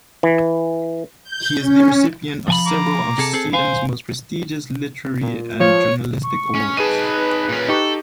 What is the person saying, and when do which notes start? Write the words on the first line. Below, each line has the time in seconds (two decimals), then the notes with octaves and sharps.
He is the recipient of several of Sweden's most prestigious literary and journalistic awards.
0.23 E3
1.24 G6
1.60 C#4
2.48 F3 G#5 B5
2.67 A#5 D6
3.18 C3 G#4 A4
3.33 C4 G#4 A4
3.53 C5 F5 G#5
5.23 A#2
5.60 F3 C#5
6.23 C#6
6.55 C#4
6.77 D#4 G#4 B4 A5 D#7
7.49 A#2 C#4
7.68 D#4 G4 A4 C#6